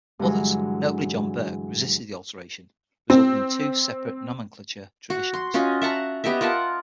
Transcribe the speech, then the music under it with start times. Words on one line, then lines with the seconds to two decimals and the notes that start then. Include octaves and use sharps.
Others, notably John Burke, resisted the alteration, resulting in two separate nomenclature traditions.
0.19 G2 D3 E3 F#3 G#3
3.10 C4
5.10 F#4
5.34 C6
5.54 C#4 F4 F#4 D#5
5.82 E5 F#5 A5 A#5
6.24 B3 G4 D#5 E5
6.41 F4 A#4 F#5 A5